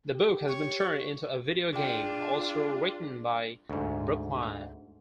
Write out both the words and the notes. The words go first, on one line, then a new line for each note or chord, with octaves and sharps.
The book has been turned into a video game, also written by Brookmyre.
G4
C#5
D4 F4 G#4 G5
D2 G#2